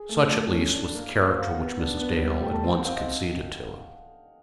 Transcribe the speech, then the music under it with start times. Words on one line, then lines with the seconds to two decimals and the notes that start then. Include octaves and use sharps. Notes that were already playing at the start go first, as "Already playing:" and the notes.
Such, at least, was the character which Mrs. Dale at once conceded to him.
Already playing: G#4
0.09 A3
0.31 A3 A4
0.52 C#4
0.73 D4
0.95 A#3
1.16 A#3 A#4
1.26 C5
1.37 A#3 F5
1.47 F#5
1.58 B3
1.79 D4
2.01 B3
2.22 G3
2.43 A3 G5
2.53 A5
2.64 C4
2.74 F#5
2.85 C4 F5
2.96 D#5